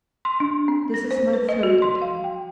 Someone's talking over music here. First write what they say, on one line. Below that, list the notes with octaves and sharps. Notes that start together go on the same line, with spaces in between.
This is my third attempt.
C6
D4
C4
A#6
C5
B4
D#5
F#4
C6
F5
G5